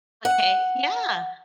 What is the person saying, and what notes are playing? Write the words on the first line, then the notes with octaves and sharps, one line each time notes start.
Okay, yeah.
F#5